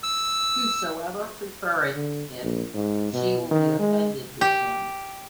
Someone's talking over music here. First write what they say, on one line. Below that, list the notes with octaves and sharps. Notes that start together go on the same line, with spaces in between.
Whosoever prefereth it, she will be offended with him.
E6
D3
A#1
G#2
B2
D#3
G#3
G4